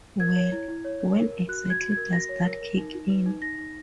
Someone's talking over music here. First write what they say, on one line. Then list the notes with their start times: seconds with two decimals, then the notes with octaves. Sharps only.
Well, when exactly does that kick in?
0.20 A#4 G#6
0.36 C#5
0.52 E4
0.68 E4
0.85 C#5
1.00 C#5
1.17 A#4
1.32 A#4
1.48 F#4 F#6
1.65 F#4
1.70 G#6
1.81 F#4
1.92 G#6
1.97 A#4
2.13 F#4 A#6
2.29 C#5
2.45 A#4
2.61 A#4
2.78 D#4
2.93 D#4
3.10 B4
3.26 D#4
3.42 D#4 A#6
3.58 D#4